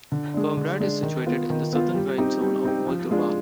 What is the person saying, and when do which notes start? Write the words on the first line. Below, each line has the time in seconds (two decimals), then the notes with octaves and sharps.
Comrat is situated in the southern wine zone of Moldova.
0.12 D3
0.34 G#3 D4
0.57 D3
0.80 G#3 D4
1.03 D#3
1.26 B3 F4
1.50 D#3
1.73 B3 F4
1.95 G3
2.18 C4 D#4 G4
2.41 G3
2.64 C4 D#4 G4
2.87 F3
3.11 G#3 D4 F4